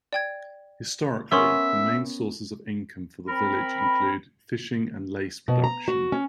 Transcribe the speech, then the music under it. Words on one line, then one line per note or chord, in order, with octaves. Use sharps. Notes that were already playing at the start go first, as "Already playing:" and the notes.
Historically, the main sources of income for the village include fishing and lace production.
D5 G5 G#6
B3 C#4 A#4 E5 C6
C4 A#4 B5
B2
A#5
F#4
C#4